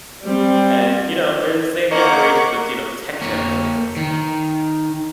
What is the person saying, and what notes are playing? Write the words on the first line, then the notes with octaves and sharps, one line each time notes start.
and, you know, we're in the same generation, th you know, the tech generation basically,
G3 C4
A#3 C5 C#5 D#5 F#5 A#5 C#6 D6
A#3 C#5
D#3